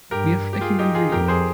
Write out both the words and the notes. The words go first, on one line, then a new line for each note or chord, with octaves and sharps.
Wir stechen in See!
G2 G4 A#4
G4
F4 G#4
D#4 G4
F4 G#4
F2 G4 A#4
G#4 C5